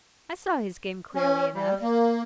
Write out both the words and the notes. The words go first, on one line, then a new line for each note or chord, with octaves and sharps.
I saw his game clearly enough.
C#4
G3
A#3